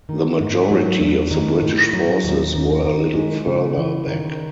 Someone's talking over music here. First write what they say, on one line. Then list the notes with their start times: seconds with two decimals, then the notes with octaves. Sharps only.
The majority of the British forces were a little further back.
0.09 D#3
0.40 G#2
0.71 F#3
1.00 E2
1.31 D#3
1.62 A2
1.93 F#3
2.24 D#2
2.55 D#3
2.85 D#3
3.15 G#3
3.47 C#3
3.78 E3
4.08 D#3